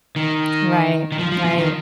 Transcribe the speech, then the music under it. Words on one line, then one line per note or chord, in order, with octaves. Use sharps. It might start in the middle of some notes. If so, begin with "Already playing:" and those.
Right, right.
D#3
D#3
F3
F3
F3
D#3